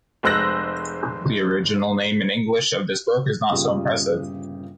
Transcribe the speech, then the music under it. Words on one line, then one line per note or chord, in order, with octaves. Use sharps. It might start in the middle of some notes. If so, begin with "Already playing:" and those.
The original name in English of this book is not so impressive.
F1 G#3 C5 E6 F#6 A#6
G1 A#2 C#3 G4 D#6